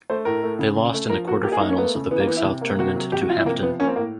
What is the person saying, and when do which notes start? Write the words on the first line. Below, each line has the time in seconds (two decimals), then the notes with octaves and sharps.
They lost in the quarterfinals of the Big South Tournament to Hampton.
0.10 A3 C5
0.25 A2 A#4
0.43 A3
0.59 C#3
0.76 C#3
0.93 A3
1.10 F3 A#4
1.27 A#3 F#4
1.43 A#3 G4
1.52 G#4
1.60 A#3 D#4
1.69 C#4
1.77 A3 B3
1.95 C#3
2.11 E3 B3
2.20 A#3
2.27 E3 B3
2.37 E4
2.44 C3
2.61 A#3
2.79 C3 F#4
2.95 F#3
3.12 C3 G4
3.21 F#4
3.29 F3 F4
3.37 E4
3.45 C3 A#3
3.62 F3 B3
3.80 A#3 C#4
3.87 C4
3.96 A2 A#3